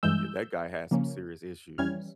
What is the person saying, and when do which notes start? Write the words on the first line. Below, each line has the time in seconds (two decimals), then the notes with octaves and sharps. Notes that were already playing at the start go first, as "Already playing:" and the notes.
Yeah, that guy had some serious issues.
0.03 G2 E3 G#3 E6 G6
0.91 C#3 F3 A#3 C#4
1.78 F2 E3 G3 C#4 F6 G#6